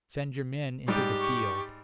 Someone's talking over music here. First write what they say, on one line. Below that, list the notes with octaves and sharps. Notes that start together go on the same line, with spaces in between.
Send your men into the field.
G#2 G3 G4
C#6